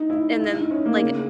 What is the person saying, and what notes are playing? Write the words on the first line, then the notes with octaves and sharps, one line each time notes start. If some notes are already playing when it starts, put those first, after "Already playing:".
and then, like,
Already playing: D#4
E4
E4
E4
D#4
C#4
A#3
C#3